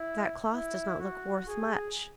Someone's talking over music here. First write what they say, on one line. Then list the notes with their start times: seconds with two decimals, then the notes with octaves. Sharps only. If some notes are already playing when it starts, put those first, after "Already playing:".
'That cloth does not look worth much!'
Already playing: E4
0.52 E4
0.99 F#4
1.47 G#4